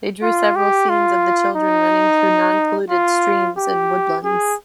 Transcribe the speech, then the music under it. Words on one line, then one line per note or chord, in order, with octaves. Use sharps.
They drew several scenes of the children running through non-polluted streams and woodlands.
F4
G4
F4
D#4
F4
G4
G#4